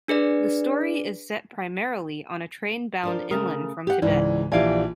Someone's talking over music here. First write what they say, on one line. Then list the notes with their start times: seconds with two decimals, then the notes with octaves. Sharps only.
The story is set primarily on a train bound inland from Tibet.
0.08 D4 G#4 B4 D5
3.03 F3 D4 A#4
3.31 C#3 A3 A#4 D#6
3.87 G4 F#5
4.02 C#2 G#2 E3 D5
4.52 A#1 E3 G4 D5 E5 F5 G#5 D7